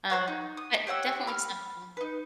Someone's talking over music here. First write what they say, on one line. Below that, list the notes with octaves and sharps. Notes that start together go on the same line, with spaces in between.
um, but definitely something.
C5 C#5 F#5
D#4
D#6
G4 C#5 F#5 E6
B5 F6
D#4 B4